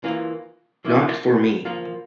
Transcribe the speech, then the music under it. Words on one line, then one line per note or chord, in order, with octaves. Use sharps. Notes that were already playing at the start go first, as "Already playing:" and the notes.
Not for me.
E3 A#3 F4
F3 A#3 E4
F3 A#3 F4